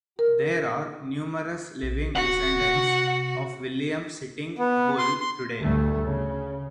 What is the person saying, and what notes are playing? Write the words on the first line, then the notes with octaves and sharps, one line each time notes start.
There are numerous living descendants of William Sitting Bull today.
A#4
A#1
D1 F#4 F#5
C3
B3
C6
C6
D2 G2 A3
C#3